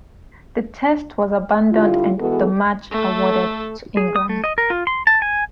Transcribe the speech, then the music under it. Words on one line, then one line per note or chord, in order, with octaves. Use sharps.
The Test was abandoned and the match awarded to England.
D3 G3 E4 F4
E3 G#3 B3 F#4 G#4 A4
A3 A4
G#4
D#6
A3
D#5
A#4
F4
C6
A5
G#5